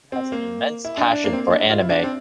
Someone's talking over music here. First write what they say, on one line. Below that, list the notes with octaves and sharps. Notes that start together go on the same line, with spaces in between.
He has an immense passion for anime.
C4
A#3
E4
D4
D4
A#3
C4
A#3
D4
E4
F4
E4
D4
C4